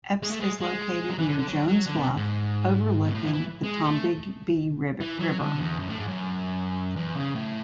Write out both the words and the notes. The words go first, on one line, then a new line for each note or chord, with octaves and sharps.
Epes is located near Jones Bluff, overlooking the Tombigbee River.
G#3
A3
G#3
G#3
F#3
E3
D3
D3
F#3
F#3
D3
B2
G#2
B2
A2
E3
E3
G#3
A3
E3
F#3
D3
E2
F#2
A2
G#2
F#2
E2
C#3
A2